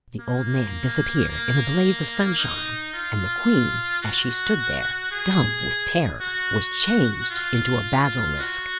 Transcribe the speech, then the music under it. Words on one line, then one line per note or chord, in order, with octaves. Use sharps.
The old man disappeared in a blaze of sunshine; and the queen, as she stood there, dumb with terror, was changed into a basilisk.
A#3
A#3
D#4
F4
F#4
G#4
F#4
F4
F#4